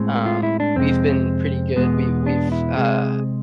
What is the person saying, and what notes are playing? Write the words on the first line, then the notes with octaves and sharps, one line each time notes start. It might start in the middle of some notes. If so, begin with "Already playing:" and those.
Um, we've been pretty good, we we've, uh,
Already playing: A2 G#3 C4
F4
E4
D4
F2 C3 G#3 C4
E2 B2 G#3 B3
D4
E4
C3 G#3 C4 G#4